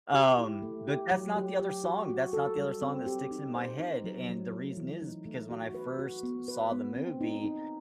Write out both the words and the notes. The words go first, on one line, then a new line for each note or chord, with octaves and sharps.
Um, but that's not the other song that's not the other song that sticks in my head, and the reason is because when I first saw the movie,
G4
E4
A3
G4
F#3
G4
G4
F#4
F#4
A4
G3
C4
G4
D#4
C5
D#4
F#3
F#3
A3
E3
D#4
A3
F#4
B4
F#4
B3
B4
B3
C4
D#4
D#4